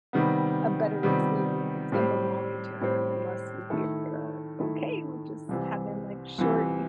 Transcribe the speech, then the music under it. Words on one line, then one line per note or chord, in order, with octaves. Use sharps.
a better experience in the long term unless we are okay with just having, like, short
C3 D#3 G3 B3
C3 D#3 G3 B3
A2 G3 C4
A2 G3 C4
D#3 A3 E4 A4
D#3 A3 E4 A4
C2 C3 E3
C2 C3 E3